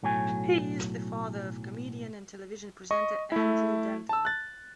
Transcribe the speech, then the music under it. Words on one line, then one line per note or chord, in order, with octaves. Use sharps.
He is the father of comedian and television presenter Andrew Denton.
B1 A2 F#3 F#4 G#5
D#5 C#6
A3 E4
A5 E6
F#6 A6